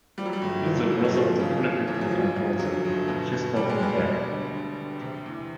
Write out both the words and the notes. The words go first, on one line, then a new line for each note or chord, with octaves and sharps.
He is a brother of the prolific film composer Christophe Beck.
F3 G3
F#3
G3
G1
F3
G1
F#3
F3
C#3
C#3
E2
F#3
F3
F3
D3 F#3
G1
B2
B2
B2 G3
G#3
B2 G3
D2
D3
D3
D3
C3
E2